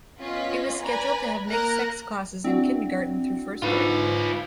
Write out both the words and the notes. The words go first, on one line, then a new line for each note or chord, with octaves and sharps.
It was scheduled to have mixed-sex classes in Kindergarten through first grade.
B3 C#4 F4 D#5 B6
B4 D5 G#5 A#5 B5
A#3 A#4 A#5 F#6
C4 D4 E4 F#4
G#2 F4 B4